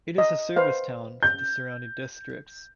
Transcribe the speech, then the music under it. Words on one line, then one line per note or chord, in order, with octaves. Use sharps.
It is a service town for the surrounding districts.
D#5
B4 C5 F5
G6